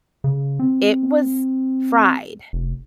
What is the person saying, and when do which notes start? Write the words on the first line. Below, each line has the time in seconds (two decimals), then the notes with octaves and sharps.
it was fried.
0.24 C#3
0.59 C4
2.53 F1